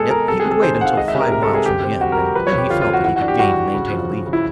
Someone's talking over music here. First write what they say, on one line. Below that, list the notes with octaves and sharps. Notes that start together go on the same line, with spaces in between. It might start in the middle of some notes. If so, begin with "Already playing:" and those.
Yet he would wait until five miles from the end, and then he felt that he could gain and maintain a lead.
Already playing: B2 G#3 C4 G#4 A4
G#3 A#4
C3 A4
G#4
C3
A4
D#3 C5
C5
D#3 F#5
F5
G#3 D#5
E5
C3
A#4
G#3 A#4
A4
C3
G#4
D3 G4
C4
G3 F#4
A#4
G3
F3 B4
C#5
F2
G4
D3 F4
F4
F2
F#4
E3 F#4
F#4
D4
G4
G2 F#4
G2
C#3
F3
C#3
C#3
E4